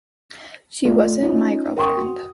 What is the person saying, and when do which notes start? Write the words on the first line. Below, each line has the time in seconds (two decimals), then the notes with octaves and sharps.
She wasn't my girlfriend.
0.85 A3 F4 A4 D5
1.21 C#4 D#4 F4
1.77 A#4 G5 C6 C#6 D#6
1.97 F#4